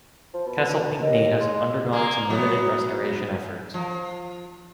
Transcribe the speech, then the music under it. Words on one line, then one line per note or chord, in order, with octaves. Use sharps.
Castle Pinckney has undergone some limited restoration efforts.
F3
B2
D#2 D#5
G#3
A#3 G#4
A#2 F#3 B3
F3